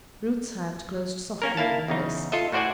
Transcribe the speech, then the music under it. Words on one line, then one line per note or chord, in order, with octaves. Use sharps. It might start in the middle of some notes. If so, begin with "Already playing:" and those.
Ruth's hand closed softly over his.
A#3 C#4 A#4
A#3 E4 F5 A5
E2 C#3 D#4
F4 A4 D#5 E5
A2 F#4 C5 D5 F#5 G#5